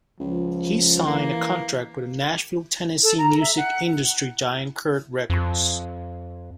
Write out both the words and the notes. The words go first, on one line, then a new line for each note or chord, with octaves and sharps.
He signed a contract with Nashville, Tennessee, music industry giant Curb Records.
C#2 F3
E3 A#3
A4
A#5
E5
F#5
F2